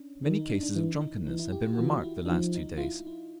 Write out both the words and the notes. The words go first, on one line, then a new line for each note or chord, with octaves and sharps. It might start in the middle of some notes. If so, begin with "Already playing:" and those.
Many cases of drunkenness had been remarked the last two days.
Already playing: C#4 D4
D#3 D4
D#4
D4
D4
E3 E4
D#4
E3 D#4
E4
G4
F4
F#4
E3 F4
E4
D4
F3 D#4
D#4
F4
E4
E4